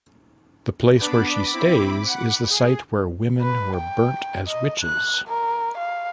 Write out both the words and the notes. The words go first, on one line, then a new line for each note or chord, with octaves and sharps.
The place where she stays is the site where women were burnt as witches.
B3 D4 B5 D6
C4 E4
F#5
G#4
B4
G5
D#5
F#6
A#4
F5